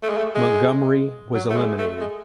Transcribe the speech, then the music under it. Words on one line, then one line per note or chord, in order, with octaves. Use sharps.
Montgomerie was eliminated.
A3
G#3
A3
G#3
F#3
A3
G#3
A3
G#3